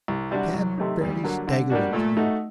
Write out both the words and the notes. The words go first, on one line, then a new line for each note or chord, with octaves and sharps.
Tad fairly staggered up to them.
C2
C3 G3 D4 F#4
C2 F#3
C3 D#3 A3 D#4
D2 G3
D3 F#3 A#3
D3
G3 A#3 D4 F#4
A#2 A3
A3 D#4 F#4